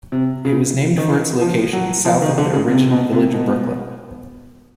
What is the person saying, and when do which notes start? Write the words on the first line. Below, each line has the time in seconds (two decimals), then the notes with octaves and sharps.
It was named for its location, south of the original Village of Brooklyn.
0.12 C3
0.45 C#3
0.98 D#3
1.09 E3
1.41 F3
1.73 F#3
2.05 F3
2.22 D#3
2.38 D3
2.53 C#3
2.70 C3
2.91 B2
3.13 C3
3.33 B2